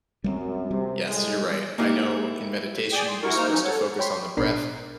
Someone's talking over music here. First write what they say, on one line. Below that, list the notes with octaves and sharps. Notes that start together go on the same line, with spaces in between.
yes, you're right. I know in meditation, you're just supposed to focus on the breath.
F#2 G3 A3 C4
C3 G3
C2 A2 G#3
A#3 D#4 E4 G4
G#4 D5 G5 G#5
C6
E4 F#4 A#4 C#6
A#3 D#4 C5 F6
F3 C4 C#4 D#4
A4 C#5 F#5
C#5 G5 B5 C6
A1 B2 D4 A#4 B5 C7